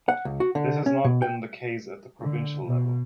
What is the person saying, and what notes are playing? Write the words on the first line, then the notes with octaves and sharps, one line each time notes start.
This has not been the case at the provincial level.
F#5
C#2
F#4
D3
C#4
B2
G5
D3
B2